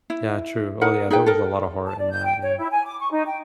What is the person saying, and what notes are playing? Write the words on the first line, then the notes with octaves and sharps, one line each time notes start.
Yeah, true, oh, yeah, there was a lotta heart in that, yeah.
E4
D#4 A#4 F#5
D#4 G#4 B4 G5
A4 A#4
A5
D5
G6
G5
C#5
E4
G#5
D6
C#6
D#4
G5